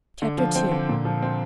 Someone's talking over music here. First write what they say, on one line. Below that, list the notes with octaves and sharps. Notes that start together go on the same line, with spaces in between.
Chapter II.
D3
F3
C4
D3
A#2
F3
C4